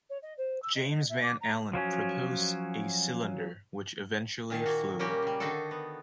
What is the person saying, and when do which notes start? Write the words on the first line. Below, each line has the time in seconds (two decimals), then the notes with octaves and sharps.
James Van Allen proposed a cylinder, which eventually flew.
0.10 C#5
0.22 D#5
0.38 C5
0.62 E6
0.75 D#5
0.91 D#5
1.09 E5
1.23 D6
1.41 A#5
1.73 F3 F#3 C#4
4.50 A#2 D#3 F5 A5
4.66 A#3 F#4
4.99 G3 A#3 C#4 F#4 G4
5.22 C#3 G3
5.40 D3 D#3 D#4 F#4 A4
5.71 B3